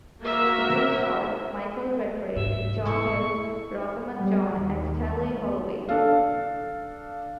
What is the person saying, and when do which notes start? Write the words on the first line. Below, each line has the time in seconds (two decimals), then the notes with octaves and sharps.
The film stars Michael Redgrave, John Mills, Rosamund John and Stanley Holloway.
0.22 A#3 F#4 A#4 E5
2.34 F1 G#2 E5
2.85 A3 E4 C#6
4.17 G3
4.59 D#2
5.89 D4 A4 F5